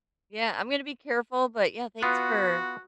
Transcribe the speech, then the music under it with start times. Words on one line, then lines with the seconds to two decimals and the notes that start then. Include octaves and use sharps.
Yeah, I'm gonna be careful, but, yeah, thanks for
2.02 B3 F4 F#4